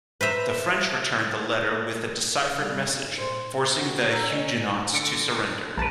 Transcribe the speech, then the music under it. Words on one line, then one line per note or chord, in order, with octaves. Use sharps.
The French returned the letter with the deciphered message, forcing the Huguenots to surrender.
B4 C5 E5 A#5
G3 F5
C#3 E5
D#4
A#2 C5
F#4
A#5 E6
C#4 D5 D#5
D3 C#7 D7
A#1 A#4 B4 A5